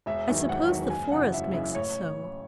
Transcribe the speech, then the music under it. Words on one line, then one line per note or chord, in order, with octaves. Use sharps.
I suppose the forest makes it so.
E1 E5
E2 D#3 F#3
E1 F#5
E2 D#3 F#3
F#1 G#5
F#2 C#3 E3 F#5
F#1 E5
F#2 C#3 E3 E5
A1 C#5